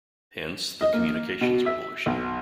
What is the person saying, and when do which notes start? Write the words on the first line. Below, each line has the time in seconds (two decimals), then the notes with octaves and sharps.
Hence: the "Communications Revolution".
0.81 D#5
0.93 A#3
1.41 B2
1.66 E5
2.06 B1